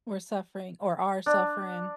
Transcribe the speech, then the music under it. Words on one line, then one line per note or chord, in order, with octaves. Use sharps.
we're suffering or are suffering
D4